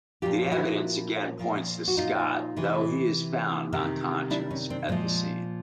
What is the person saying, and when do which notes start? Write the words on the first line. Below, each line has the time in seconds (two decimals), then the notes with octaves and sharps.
The evidence again points to Scott, though he is found unconscious at the scene.
0.22 A#2 F3 F4 G4
0.46 F4
0.52 E4 F#4
1.39 A#2 F3
1.88 F#4
1.97 D#4 F4
2.57 C3 E3
3.73 C3 D#3
4.30 D4 E4
4.51 C#4 D#4
4.70 C4 D4
4.89 A#2 F3 G#3